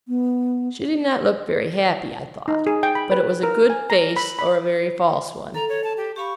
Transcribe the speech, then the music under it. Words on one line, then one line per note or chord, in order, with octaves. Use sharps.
She did not look very happy, I thought; but it was a good face, or a very false one.
B3
D#4
G#4
G5
B5
B4
A#4
G#5
A#5
B5
B5
A4 A#5
C#5
A5
G4
G4 F5 B5 C#6